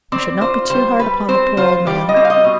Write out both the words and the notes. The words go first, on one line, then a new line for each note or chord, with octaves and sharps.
We should not be too hard upon the poor old man.
C4 D5
F4 C5
G3 C5
G3 B4
C4 C5
F4 C5
G3 D5
D#5
C4
F5
D#5
B2